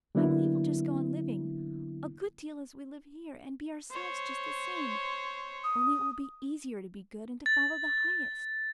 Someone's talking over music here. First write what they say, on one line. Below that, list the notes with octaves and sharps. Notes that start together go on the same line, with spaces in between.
I believe we'll just go on living, a good deal as we live here--and be OURSELVES just the same--only it will be easier to be good and to--follow the highest.
D3 F#3 A#3 B3 D4 E4
C5 C#5
D#6
A6